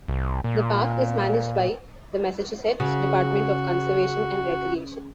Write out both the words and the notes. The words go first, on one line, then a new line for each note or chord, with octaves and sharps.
The park is managed by the Massachusetts Department of Conservation and Recreation.
C2
A#2
C#3 F#4